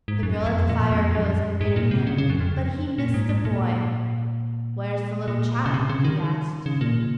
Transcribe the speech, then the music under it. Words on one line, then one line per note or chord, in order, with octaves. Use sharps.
The girl at the fire rose and greeted him, but he missed the boy. "Where's the little chap?" he asked.
G#2
F#2
F2
A#2
F2
F#2
G#2
A#2
C3
C#3
C#3
F#2
F2
A#2
G#2
G#2
A#2
A#2
C#3
C3
C#3
D#3
C#3
A#2